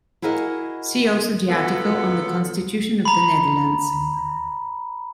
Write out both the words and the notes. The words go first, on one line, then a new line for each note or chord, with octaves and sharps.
See also the article on the Constitution of the Netherlands.
E4 F#4 G#4 A#4 D#5 F5
F#3 B3 F4 A4
A#5 B5